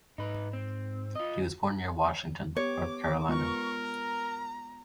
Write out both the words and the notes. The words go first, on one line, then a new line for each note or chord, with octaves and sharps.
He was born near Washington, North Carolina.
G#2 D#4 B4
C4
F4 D#5
B3 G4 C#5 D6
G#3 B3 F4 A#4 C#6
A#5